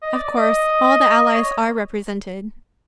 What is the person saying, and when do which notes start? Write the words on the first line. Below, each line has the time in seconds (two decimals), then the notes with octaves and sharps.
Of course, all the allies are represented.
0.02 D#5
0.13 D5
0.24 D5
0.36 D#5
1.35 C#5